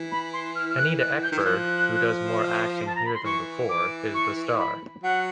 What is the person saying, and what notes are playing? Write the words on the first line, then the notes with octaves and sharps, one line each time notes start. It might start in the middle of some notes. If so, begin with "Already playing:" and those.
Anita Ekberg, who does more acting here than before, is the star.
Already playing: E3
B5
C6
F6
F6
F#6
F#6
G6
D#3
E3
F3 F#6
A5
A#5
B5
C6
E3 C#6
D6
C#6
B5
F#3 F#5